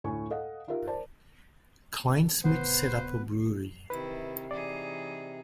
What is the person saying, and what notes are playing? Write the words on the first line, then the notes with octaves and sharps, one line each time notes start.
Kleinschmidt set up a brewery.
D2 A2 G#5 C#6
A4 D#5 F5 F#5
D#4 F4 G4 A#4 E5
A#4 C5 D5 A5
D1 C3 B3 B4 C5
C3 D#3 E4 B4
E3 D#4 G#4 D5